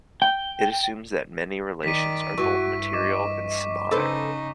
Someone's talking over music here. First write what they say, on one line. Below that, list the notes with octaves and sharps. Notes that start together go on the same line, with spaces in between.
It assumes that many relations are both material and semiotic.
G5
D#3 D5 B6 D#7
G2 E3 F#4 C#6
D#5 D6
C#3 D#4 A4 B4 C5